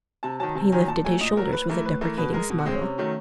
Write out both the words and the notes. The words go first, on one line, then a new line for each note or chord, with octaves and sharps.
He lifted his shoulders with a deprecating smile.
C3 A5
D#3 F#3 A5
C3 A5
D#3 F#3 G#5
A#2 A5
F#3 A3 G#5
A#2 D#5
F#3 A3 A#4
A2 B4
E3 A3 A#4
A2 B4
E3 A3 A#4
B2 B4
G#3 A#4
B2
F#4
G#3 C4
C#4
C3
D#3 F#3 A3